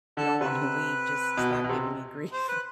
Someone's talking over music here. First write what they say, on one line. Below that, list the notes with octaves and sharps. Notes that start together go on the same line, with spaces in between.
"If you don't want me to leave, just stop giving me grief
D3 A4
C3 B4
B2
B2
B2
C3
C5
B4